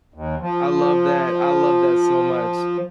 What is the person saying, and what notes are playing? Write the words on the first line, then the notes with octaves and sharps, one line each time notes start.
I love that I love that so much.
D#2
F3